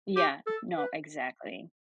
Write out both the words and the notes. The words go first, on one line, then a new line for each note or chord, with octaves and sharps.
Yeah, no, exactly.
G4
A4
B4